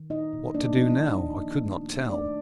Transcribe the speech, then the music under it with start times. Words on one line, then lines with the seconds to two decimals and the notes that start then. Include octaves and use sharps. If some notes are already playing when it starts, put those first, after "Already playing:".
What to do now, I could not tell.
Already playing: D#3
0.10 A#2 D#4 D#5
0.33 A#2
0.54 A#3 D4 D5
0.76 F3 D#4 D#5
0.99 A#2
1.21 A#2
1.43 D#3
1.65 A3
1.87 A3
2.10 A3 D4 D5